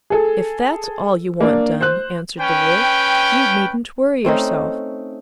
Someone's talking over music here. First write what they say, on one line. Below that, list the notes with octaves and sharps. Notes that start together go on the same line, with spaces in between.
'If that's all you want done,' answered the wolf, 'you needn't worry yourself.
G#4 A4
A#3 D4
C5 F#6
C#4 B4 G5
A3 C4 C#4 D#4